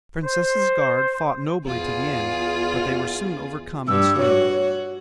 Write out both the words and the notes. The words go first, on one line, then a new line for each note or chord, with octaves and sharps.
The Princess's guard fought nobly to the end, but they were soon overcome and slain.
C5
E2 F4 G#4
G2 E6
F#4 C#5